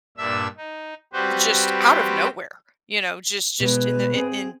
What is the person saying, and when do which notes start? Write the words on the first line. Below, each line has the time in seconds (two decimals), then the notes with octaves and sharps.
just out of nowhere, you know? Just just in the i in
0.18 G2 A#2 D4 E5 E6
0.57 D#4
1.13 G3 C4 F#4 G4 B4 C5
3.60 B2 G#3 B4
4.14 C4 G#4